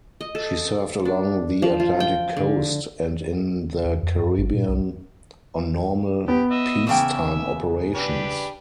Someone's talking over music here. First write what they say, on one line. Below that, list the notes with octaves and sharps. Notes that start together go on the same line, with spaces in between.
She served along the Atlantic coast and in the Caribbean on normal peacetime operations.
D#5
A4
D4
F3
F4
G5
D3
E2
F2
F#2
G#1
A#2
B1
B3 G4
D#5 E5
E2 C#3 E5 G5
D4 G4 B4